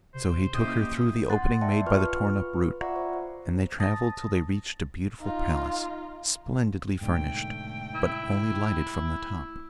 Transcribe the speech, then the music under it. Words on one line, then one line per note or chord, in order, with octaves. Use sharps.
So he took her through the opening made by the torn-up root, and they travelled till they reached a beautiful palace, splendidly furnished, but only lighted from the top.
C3 C5
A#3 C#4 E4 G4 D#5 D#6
F#5 C6 F#6 A6
D5 E5 G5 A5 C6
F4 B4 C#6 F6
F4 D5 E5 F#5 A#5 C#6
C5
A5 D#6 A6 A#6
D#4 F4
G#2 B2 D3 A3 G5
E4